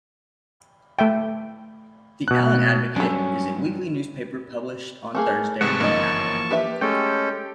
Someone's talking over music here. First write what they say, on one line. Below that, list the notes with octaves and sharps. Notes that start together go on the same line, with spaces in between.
The "Allen Advocate" is a weekly newspaper published on Thursday in Allen.
A3 E5 G5
B2 F#6
G2 F#3 C#4 D4 A4
A3 A#3 G#4
G#1 C3 G3 G#3 B3 F#5 A5 C#6
G1 F#2 E3 F3 A#3 D#4 D#5
D4 G4 B4 E5
G#3 A3 C#4 A4 G5